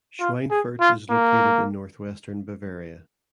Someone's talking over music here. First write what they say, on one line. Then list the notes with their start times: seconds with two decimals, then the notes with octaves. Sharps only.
Schweinfurt is located in northwestern Bavaria.
0.20 F4
0.51 G#4
0.80 F4
1.10 A#3